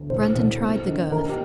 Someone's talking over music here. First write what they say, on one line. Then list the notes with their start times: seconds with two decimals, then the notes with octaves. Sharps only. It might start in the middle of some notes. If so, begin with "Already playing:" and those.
Brandon tried the girth.
Already playing: D2
0.10 C2 C5
0.35 C2
0.61 F2
0.87 D#3
1.12 D#3 A#4
1.29 G4